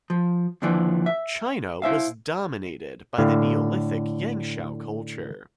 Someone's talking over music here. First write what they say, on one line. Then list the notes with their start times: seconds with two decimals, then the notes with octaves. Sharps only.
China was dominated by the Neolithic Yangshao culture.
0.10 F3
0.62 D#2 D3 E3 F3 D4
1.06 E5
1.82 E4 C5 E5 F5
3.18 A2 D3 F5